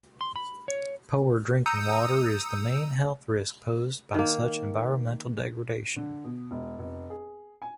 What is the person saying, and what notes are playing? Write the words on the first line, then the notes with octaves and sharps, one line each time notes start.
Poor drinking water is the main health risk posed by such environmental degradation.
C6
B5
C#5
A#5 D#6 E6 G6 C#7 D#7
D#3 A#3
D3
B2
E1
F1
G#4
G#5